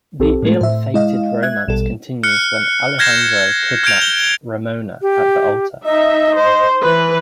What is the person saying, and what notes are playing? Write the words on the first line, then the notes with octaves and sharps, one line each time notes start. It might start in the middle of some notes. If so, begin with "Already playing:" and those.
The ill-fated romance continues when Alejandro kidnaps Ramona at the altar.
B1 C4 G4 A4
A2 G#3 A3
A2 C5 E5
G#3 E4 D#5 F5
E5 F#6 G#6
A#1 B2 G3 A4 E7
F6 F#6 C#7
F6 G6 G#6 A#6 C7 E7
F6 G6 G#6 D7 F7
E7 G7
G4
D#4 D#5 E5
C5
E3 B4